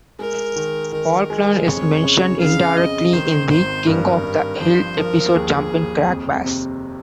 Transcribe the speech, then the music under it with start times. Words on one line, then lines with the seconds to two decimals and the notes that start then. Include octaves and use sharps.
Faulkner is mentioned indirectly in the "King of the Hill" episode "Jumpin' Crack Bass".
0.19 G#3 A#4
0.56 D#3
0.92 D#3 A#4
1.30 G#3
1.66 F2 C#5
2.04 C#3
2.40 C#3 F5
2.77 F2 D#5
3.13 D#3 C5
3.50 G#1 C5
3.86 G2 A#4
4.23 G2
4.60 F3 C5
4.97 F3 A#4
5.34 D#2 G#4
5.71 D#2
6.08 F2
6.44 C3